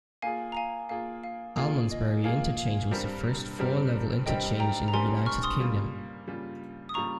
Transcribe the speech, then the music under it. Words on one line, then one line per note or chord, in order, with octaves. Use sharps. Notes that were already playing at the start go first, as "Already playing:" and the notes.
Almondsbury Interchange was the first four-level interchange in the United Kingdom.
A#3 F4 G#4 F5 G#5
A#5
F5 G#5
A#3 F4 G#4 F5
F5
A#3 F4 G#4 F5
D#5
A#3 F4 G#4 F5
F5
G2 G3 C4 G4 A#4
G2 G3 C4 G4 A#4
G2 G3 C4 G4 A#4 D#5 G5
G5 A#5
A#5
G2 G3 C4 G4 A#4 G#5 C6
C#6 F6
C6 D#6
C#3 G3 A#3 F4
C#3 G3 A#3 F4
D#6
C#3 G3 A#3 F4 A#5 C#6